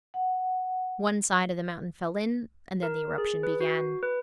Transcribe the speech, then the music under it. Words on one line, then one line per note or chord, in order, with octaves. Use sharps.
One side of the mountain fell in, and then the eruption began.
F#5
A#4
G#4
B4
F#4
B4